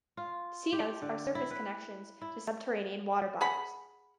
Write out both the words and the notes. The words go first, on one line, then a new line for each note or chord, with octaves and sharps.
Cenotes are surface connections to subterranean water bodies.
F4
G4
D3
E4
B4
E4
G#4 F#5 B5